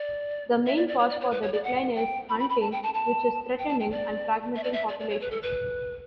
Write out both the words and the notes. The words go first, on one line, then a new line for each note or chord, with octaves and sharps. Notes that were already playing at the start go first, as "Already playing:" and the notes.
The main cause for the decline is hunting which is threatening and fragmenting populations.
Already playing: D5
E5
D5
D5
C#5
D5
C#5
B4
C#5
D5
F#5
G5
B5
B5
B5
A5
G5
A5
A5
G5
A5
G5
D5
E5
D5
E5
D5
D5
C#5
B4
A4
B4